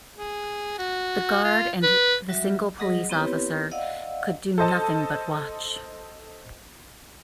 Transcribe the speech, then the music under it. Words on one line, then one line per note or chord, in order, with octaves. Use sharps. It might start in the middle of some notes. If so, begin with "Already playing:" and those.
The guard and the single police officer could do nothing but watch.
G#4
F#4
F4
B4
F#3 G3 F#4 E5
F#3 G3 G#4 D#5 F#5 D#6
B3 C4 E4 G4 B4 C#5
D5 D#5 F5 F#5 E6
A4 C5 D#5 A5